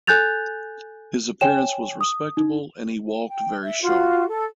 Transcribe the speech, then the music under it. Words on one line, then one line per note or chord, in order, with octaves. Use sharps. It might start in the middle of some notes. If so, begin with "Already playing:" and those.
His appearance was respectable and he ""walked very sharp"".
A4 G#5 F#6 G6 A6 F7
C#5 G5 G#5 E7
D#6
D#4
G5
E5
F4 F#4
A4